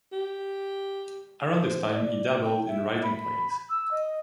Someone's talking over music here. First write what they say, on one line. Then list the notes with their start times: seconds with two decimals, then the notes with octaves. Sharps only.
Around this time he dabbled in writing plays.
0.12 G4
1.58 C5
1.94 D5
2.45 G5
2.68 E5
3.03 B5
3.70 E6
3.91 D#5